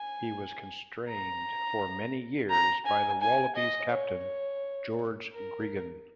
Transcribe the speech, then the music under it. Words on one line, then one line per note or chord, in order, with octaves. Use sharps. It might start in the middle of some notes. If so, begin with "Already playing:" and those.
He was constrained for many years, by the Wallabies captain, George Gregan.
Already playing: G#5
A#5
A#5
G#5
G#5
D#5
C#5
A#4